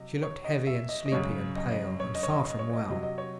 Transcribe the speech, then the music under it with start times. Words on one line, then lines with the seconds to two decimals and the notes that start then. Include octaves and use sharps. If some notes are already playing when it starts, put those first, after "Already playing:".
She looked heavy and sleepy and pale, and far from well.
Already playing: C3 F#3 D#5
0.23 C#5
0.45 D#5
0.67 E5
0.89 D#5
1.06 D#5
1.12 F#2 C#3 G#3 C#5
1.56 D#5
1.70 D#5
2.00 C#5
2.15 D#5
2.23 C#5
2.30 D#5
2.45 D#5
2.59 C#5
2.70 C#5
2.74 D#5
2.89 C3 F#3 D#5
3.03 D#5
3.18 C#5